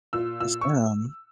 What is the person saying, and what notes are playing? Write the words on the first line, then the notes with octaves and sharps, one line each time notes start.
Yes, ma'am.
A#2 E6
A#2 E6
C#6